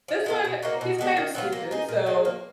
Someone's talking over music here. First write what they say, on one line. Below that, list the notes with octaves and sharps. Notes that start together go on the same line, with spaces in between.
this one, uh, he's kind of stupid, so,
F3
G#3 B3 F4
B2
A#3 D#4 F#4
B2
G#3 B3 D4
D#3
F#3 B3 F4
A#3
D#4 G#4
A#2
G#3 D4 G#4
A#3